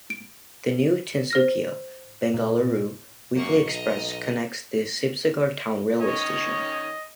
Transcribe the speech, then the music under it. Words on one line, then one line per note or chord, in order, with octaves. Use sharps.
The New Tinsukia - Bengaluru Weekly Express connects the Sibsagar Town railway station.
D7
C5 F6 A#6
A#2
F#2 A#3 C#6
B1 D#5 A#5
D#3 C#4 C#5 D#5